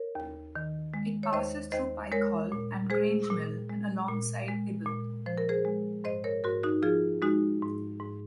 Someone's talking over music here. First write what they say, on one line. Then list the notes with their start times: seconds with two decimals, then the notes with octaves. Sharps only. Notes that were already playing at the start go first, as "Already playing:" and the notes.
It passes through Pikehall and Grangemill and alongside Ible.
Already playing: A#4 C#5
0.15 D#2
0.56 D#3
0.94 G#3
1.23 C#5
1.33 D#2 C5 D#5
1.72 D#2 C5 D#5
2.12 G#3 A#4 C#5
2.52 A#2
2.90 G#3 G#4 C5
3.30 A#2
3.70 G#3
4.08 A#2
4.48 G#3
4.86 A#2
5.26 F3 C5
5.38 A#4
5.49 G#4 C5
5.65 G#3
6.04 G#2 C5 D#5
6.24 A#4 C#5
6.44 G#2 F#4 A#4
6.63 D#4 F#4
6.82 F3 F4 G#4
7.22 G#3 D#4 F#4
7.62 G#2
8.00 G#2